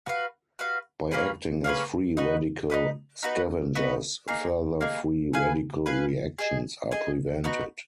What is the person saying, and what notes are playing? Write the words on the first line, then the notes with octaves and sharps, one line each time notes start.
By acting as free radical scavengers, further free radical reactions are prevented.
F#4 B4 F5
F#4 B4 F5
A#3 C#4 G#4 B4
A#3 C#4 G#4 B4
D#4 F#4 B4 D#5
D#4 F#4 B4 D#5
B3 D#4 F#4 B4
B3 D#4 F#4 B4
A#3 D#4 G#4
A#3 D#4 G#4
G#4 B4 F5 G#5
G#4 B4 F5 G#5
G#4 D#5 G#5
G#4 D#5 G#5
B3 D#4 F#4 B4